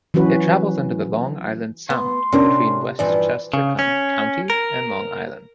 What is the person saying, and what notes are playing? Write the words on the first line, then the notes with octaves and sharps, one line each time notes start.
It travels under the Long Island Sound between Westchester County and Long Island.
E3 F#3 C#4 F#4 B4
B3 C6
C3 C#4 D4 A#4
G2 E3 F3 D5
C#3
C#4
A#4